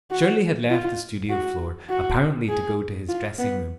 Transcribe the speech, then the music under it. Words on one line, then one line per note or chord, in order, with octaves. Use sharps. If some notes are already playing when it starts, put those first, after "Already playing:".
Shirley had left the studio floor, apparently to go to his dressing room.
F#4
F4
F#4
F#4
G#4
F4
B3